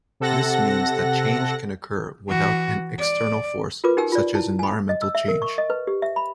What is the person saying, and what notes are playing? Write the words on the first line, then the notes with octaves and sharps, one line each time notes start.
This means that change can occur without an external force such as environmental change.
C3 A4 F#5 A#6
E3 F#4
D5
F4 A#4 B4 D6
D#4 G4 A#4 G5 E6
F4 D5
E4 A5
G#5 B5
D#5
E6
E5
A#4
C#6
D#5
B4
G4
E5
B5